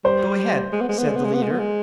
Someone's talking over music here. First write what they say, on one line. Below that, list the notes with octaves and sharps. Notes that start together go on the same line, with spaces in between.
"Go ahead," said the leader.
G3 C5
G#3
B3
G#3
B3
G#3
B3
G#3
B3
G#3
B3
G#3